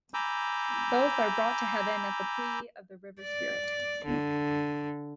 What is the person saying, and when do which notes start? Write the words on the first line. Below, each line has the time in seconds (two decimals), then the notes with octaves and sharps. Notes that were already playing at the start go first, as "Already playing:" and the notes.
Both are brought to heaven at the plea of the river spirit.
0.14 G#5 A#5 B5 D6 E6 G6
3.21 D5
4.05 D3